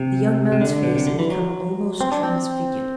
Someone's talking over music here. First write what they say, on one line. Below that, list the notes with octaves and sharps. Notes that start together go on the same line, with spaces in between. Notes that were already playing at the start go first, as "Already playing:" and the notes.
The young man's face had become almost transfigured.
Already playing: C3
C3
D3
B2
C3
D3
E3
F#3
C4
D4
C4